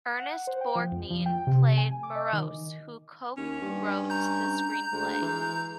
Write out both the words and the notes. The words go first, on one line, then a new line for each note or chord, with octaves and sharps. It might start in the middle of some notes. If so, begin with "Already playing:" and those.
Ernest Borgnine played Morros, who co-wrote the screenplay.
F#5
C5
G5
F3
F2
F3
G5
C3
G#5
D6
D#5
D#3
D#2 C#4
G2
A#5 G6
D2 G#3
E3